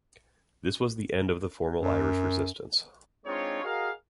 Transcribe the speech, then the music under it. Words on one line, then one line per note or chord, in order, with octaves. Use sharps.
This was the end of formal Irish resistance.
F#2
G#3 C4 D4 D#4 F4 C#5
F#4 G#4 A#4 D#5 F5